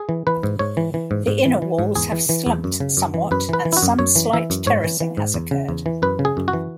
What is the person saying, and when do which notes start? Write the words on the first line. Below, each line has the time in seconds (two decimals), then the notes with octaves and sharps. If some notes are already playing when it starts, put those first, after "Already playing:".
The inner walls have slumped somewhat, and some slight terracing has occurred.
Already playing: G#4
0.09 E3
0.27 E3 B4
0.43 G#2
0.59 G#2 C#5
0.77 E3
0.94 E3
1.11 G#2
1.27 G#2
1.45 E3
1.62 E3
1.79 G#2
1.96 E2 G#4
2.12 E3
2.29 E3
2.46 E2
2.64 F#2
2.80 C#3
2.97 F#2
3.14 E3
3.31 F#2 B4
3.49 E3 B4
3.65 E3
3.73 E4
3.77 F#4
3.83 F#2
3.99 F#2 C#5
4.16 E3
4.33 E3 E5
4.50 F#2
4.66 G#2 C#5
4.84 E3
5.00 E3
5.17 G#2
5.34 E2
5.51 C#3
5.69 E2
5.86 E3
6.02 F#2 B4
6.19 C#3
6.25 G#4
6.37 F#2
6.48 F#4
6.53 E3